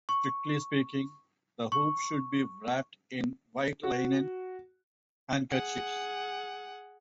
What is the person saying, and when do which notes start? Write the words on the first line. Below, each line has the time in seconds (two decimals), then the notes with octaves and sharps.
Strictly speaking, the hoop should be wrapped in white linen handkerchiefs.
0.09 C#6
1.72 C#6
3.83 F#4
5.51 G#4 F#5